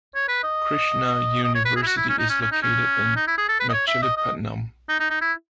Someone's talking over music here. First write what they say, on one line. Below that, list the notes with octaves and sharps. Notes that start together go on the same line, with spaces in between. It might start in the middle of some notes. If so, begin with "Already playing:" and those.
Krishna University is located in Machilipatnam.
C#5
B4
D#5
D#5
C#5
B4
G#4
E4
F#4
E4
C#4
D#4
C#4
C#4
D#4
C#4
D#4
E4
G#4
A4
B4
D#5
C#5
E5
D#5
D#5
D#4
D#4
D#4
E4